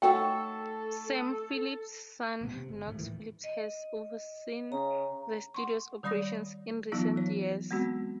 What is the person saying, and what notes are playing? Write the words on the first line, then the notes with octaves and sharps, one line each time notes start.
Sam Phillips' son Knox Phillips has overseen the studio's operations in recent years.
D#3 A3 F#4 A4 C#5 G5 C#6 E6
E1 D#2 G#2 B3
C3
G1
G#1 D#2 G#2 A3
D#2 A2 D#3 E3
D#5
C#3 A#5
F#5 C6 C#6
D#3 G3 D5 B5 D#6 A#6
E3 F#3 B3 D#4 F4
F#3 C#5
G#3 B3 C4 F#4